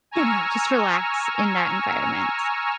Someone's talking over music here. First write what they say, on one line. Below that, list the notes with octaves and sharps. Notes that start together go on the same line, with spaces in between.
you know, just relax in that environment.
G#5 A#5 C#6 E6 F6